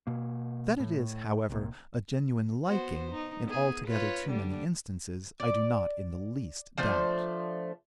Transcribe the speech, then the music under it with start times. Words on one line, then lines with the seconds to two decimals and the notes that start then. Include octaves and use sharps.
That it is, however, a genuine liking, in altogether too many instances, I do not, in the least, doubt.
0.07 B2 A#3
0.80 A2
1.49 C2 A#2
2.66 B3 F#4 C5
3.12 D#4
3.44 B3 G#4
3.86 F4 B4 C#5
4.29 D3 G3 D4
5.40 D5
6.78 F3 A3 D4 C5